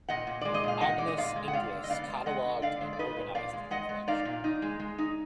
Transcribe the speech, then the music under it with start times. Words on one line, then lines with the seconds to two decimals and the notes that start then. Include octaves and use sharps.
Agnes Inglis cataloged and organized the collection.
0.08 A#2 D#5 F#5
0.27 A#2
0.41 G#3 D5
0.54 D#5
0.64 A#2 F5
0.81 A#2 D#5 F#5
0.98 G#3 D5
1.08 D#5
1.17 A#2 D5 F5
1.36 G#3
1.48 F#5
1.53 G#3 D5 F5
1.73 D3
1.84 D#5
1.90 B3 D5 F5
2.08 G#3
2.26 G#3 D#5 F#5
2.44 D3
2.62 D3 D5 F5
2.81 G#3
2.93 D5
2.99 D#4 B4 D#5
3.16 A#2
3.35 A#2 D5 F5
3.53 G#3
3.71 G#3 D#5 F#5
3.89 G#3
4.07 D#4 D5 F5
4.25 A#2
4.44 D#4
4.62 G#3
4.79 G#3
4.98 D#4